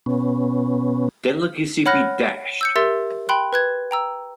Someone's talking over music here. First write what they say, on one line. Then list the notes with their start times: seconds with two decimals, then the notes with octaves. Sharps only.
Delicacy be dashed.
0.06 B2 B3 C#4
1.86 C#5 F#5 B5 F6 F#6 A#6
2.61 E6 G6 C#7
2.76 G4 A#4 E5 C6 E6 A6
3.29 G5 B5 C6 F#6
3.53 B4 F#6 G#6
3.91 G5 A#5 E6